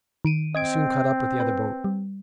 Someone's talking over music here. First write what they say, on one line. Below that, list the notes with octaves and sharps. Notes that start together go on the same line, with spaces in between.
We soon caught up with the other boat.
D#3 D7 D#7
C4 D#5 G#6 D7
B4
G3